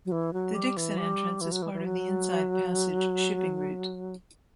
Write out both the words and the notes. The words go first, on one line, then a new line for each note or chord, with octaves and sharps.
The Dixon Entrance is part of the Inside Passage shipping route.
F#3
E3
F#3
G3
E3
G3
E3
F#3
E3
E3
F#3